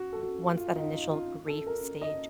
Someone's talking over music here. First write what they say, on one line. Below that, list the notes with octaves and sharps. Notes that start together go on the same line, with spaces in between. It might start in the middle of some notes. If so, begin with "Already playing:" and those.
O once that initial grief stage
Already playing: F#4
A4
F#4
F4
D#4
F4
F4
A4
A#4
D#5